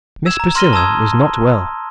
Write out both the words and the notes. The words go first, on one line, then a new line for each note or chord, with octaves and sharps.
Miss Priscilla was not well.
E6 G#6 E7
A#5
C6 F6 A#6 D#7 G7
A5 A#5 D#6 E6 G#6